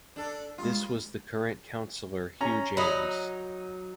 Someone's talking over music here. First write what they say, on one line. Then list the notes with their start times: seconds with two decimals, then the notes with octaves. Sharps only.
This was the current Councillor Hugh James.
0.16 D4 A4
0.58 G2 G#3 F4
2.41 C#4 A#5
2.77 F#3 D#4 D#5 B5